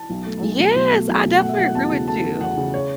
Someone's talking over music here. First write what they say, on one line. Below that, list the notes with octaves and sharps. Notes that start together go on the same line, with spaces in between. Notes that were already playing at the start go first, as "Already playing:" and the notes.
Yes, I definitely agree with you.
Already playing: A5
B1
A3
B1
B2
B1
A3
B1
B2
A3 F#5
E5
F#3 F#5
F#5
E2 A5
C#3
A3 A5
F#3
E2 F#5
C#3
C#5